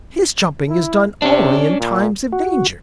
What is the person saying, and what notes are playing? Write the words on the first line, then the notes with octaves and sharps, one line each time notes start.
His jumping is done only in times of danger.
E4
C3 C#4 D4
A#2
F#4